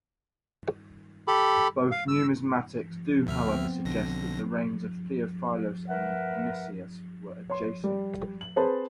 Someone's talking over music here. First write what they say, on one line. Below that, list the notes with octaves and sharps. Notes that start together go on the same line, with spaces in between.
Both numismatics do however suggest that the reigns of Theophilos and Nicias were adjacent.
G4 A4 B5
F5
E6
D2 E5 F6
B3 C4
B1 D3 A#6
A#4 B4 E5 F#5
C#5 C6
G3
F#7
C4 G#4 B4 C5 A5